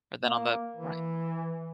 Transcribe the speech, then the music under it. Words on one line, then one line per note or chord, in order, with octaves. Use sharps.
or than on the right.
A#3
E3